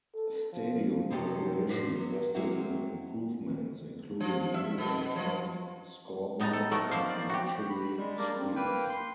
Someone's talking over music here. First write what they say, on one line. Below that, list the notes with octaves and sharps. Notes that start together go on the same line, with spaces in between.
Stadium Corporation invested in improvements, including new electronic scoreboards and luxury suites.
A4
F3
C3 F3 F#3 D#4 G4 A4
A2 D4 F#4 C5
F#3
F#3 G#3 A#3 C4 E4 F#4
F3
E5
B2
F3
A2 B3 D#4 A5 A#5
A4
F#3 A3 B3 A#4
F3 A#3 C5 F5
D5
F#4 G4
B5
G3 G#3
A#3 D4 A#4 D5
C4
A#3 B4 G5
C6